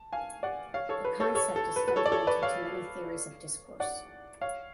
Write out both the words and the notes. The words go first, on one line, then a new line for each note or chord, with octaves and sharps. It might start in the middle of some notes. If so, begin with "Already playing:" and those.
The concept is fundamental to many theories of discourse.
Already playing: A5
F5 G#5
D5 F#5
C#5 F5
A4 C#5
B4
A4 C#5
A4 C#5
A4
B4
B4
A4 C#5
D5
A4 C#5
B4 D5
C#5 F5
D5 F#5
C#5 F5